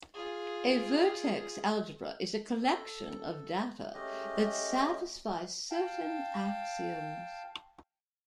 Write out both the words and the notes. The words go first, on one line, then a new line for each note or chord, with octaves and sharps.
A vertex algebra is a collection of data that satisfy certain axioms.
F4 G#4
A4
G#3 A3 C#4 G4 D#5
F5 G5 A5